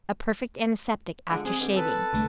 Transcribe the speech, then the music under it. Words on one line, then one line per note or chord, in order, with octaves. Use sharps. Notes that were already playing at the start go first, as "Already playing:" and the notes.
A perfect antiseptic after shaving.
D3 F3 G#3
C4 G#4
B2 D3 G4
A4 B4
C2 D3 A3